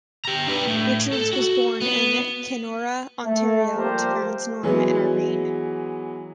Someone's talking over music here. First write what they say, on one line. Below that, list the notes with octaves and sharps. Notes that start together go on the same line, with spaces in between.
Richards was born in Kenora, Ontario, to parents Norm and Irene.
G4 A#5
D4 B4
A2
A4
F#4
B3
A3
F3 G3 A#3 G4 A#4 C5
E3 F#3 G#3 B3